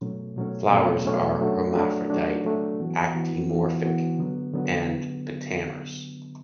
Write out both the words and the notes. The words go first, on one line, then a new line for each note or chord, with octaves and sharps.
Flowers are hermaphrodite, actinomorphic and pentamers.
B2 F#3 A3 C#4
B2 F#3 A3 C#4
B2 F#3 A3 C#4
B2 F#3 A3 C#4
F#3 A3 D4
F#3 A3 D4
F#3 A3 D4
F#3 A3 D4
E3 B3 F#4
E3 B3 F#4
E3 B3 F#4
E3 B3 F#4
D3 F#3 B3
D3 F#3 B3